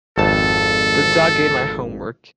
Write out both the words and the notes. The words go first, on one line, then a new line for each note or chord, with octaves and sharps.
The dog ate my homework.
G#1 F2 A4 A5